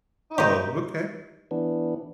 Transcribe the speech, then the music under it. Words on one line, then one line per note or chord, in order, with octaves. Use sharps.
Oh, okay.
D#4 G4
E3 B3 D4